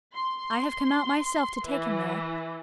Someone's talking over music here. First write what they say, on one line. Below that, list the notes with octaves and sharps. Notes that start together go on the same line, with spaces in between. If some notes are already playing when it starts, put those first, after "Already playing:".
I have come out myself to take him there.
C6
E3